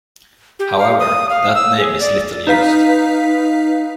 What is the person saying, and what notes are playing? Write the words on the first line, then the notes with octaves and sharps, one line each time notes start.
However, that name is little used.
G4
F5
D#6
F5
E6
G#4
D5
D#4 B4 F5 B6